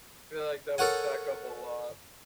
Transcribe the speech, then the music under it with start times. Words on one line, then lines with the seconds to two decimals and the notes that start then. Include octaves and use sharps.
Feel like that would stack up a lot.
0.78 A4 A#4 C#5 F#5 G#5